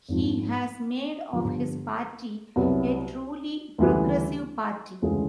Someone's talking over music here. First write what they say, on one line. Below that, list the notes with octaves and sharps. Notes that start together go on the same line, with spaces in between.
He has made of his party a truly progressive party.
G#1 G#2 F3
G1 G2 D3 F3
C2 B2 F#3 B3 E4
D2 C#3 E3 G3
D2 C#3 E3 G#3